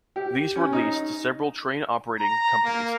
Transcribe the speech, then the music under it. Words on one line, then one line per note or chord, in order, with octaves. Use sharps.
These were leased to several train operating companies.
G4
C#4
D#4
A#5
A#3